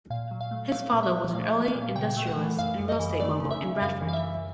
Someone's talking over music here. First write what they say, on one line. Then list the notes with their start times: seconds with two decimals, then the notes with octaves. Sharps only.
His father was an early industrialist and real estate mogul in Bradford.
0.10 A#2 F5
0.31 F#3
0.41 F5
0.51 A3
0.72 A3 F5
0.93 A#2
1.03 E5
1.14 A3
1.34 A#2 F5
1.54 A#2
1.65 F5
1.75 A#2
1.95 C#3 G5
2.17 A3
2.27 F#5
2.37 E3
2.59 F#2 F5
2.79 F#2
2.89 D#5
2.99 E3
3.20 A3 D5
3.40 C#3
3.51 E5
3.61 C#3
3.81 F#2 F5
4.02 E3
4.09 F5
4.13 E5
4.24 F#2